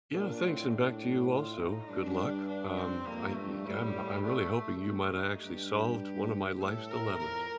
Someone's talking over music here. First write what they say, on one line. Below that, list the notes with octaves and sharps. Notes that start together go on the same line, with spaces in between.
Yeah, thanks, and back to you also, good luck, um, I ye I'm I'm really hoping you might o' actually solved one of my life's dilemmas.
A#2 D4
A2 C4
D4
F4
D#4
G2 D4
D4
C4
F2 A#3
G2 A3
A2 G3
A3
A3
D#4
G2 G4
A2 A4
A#4
F2 A#4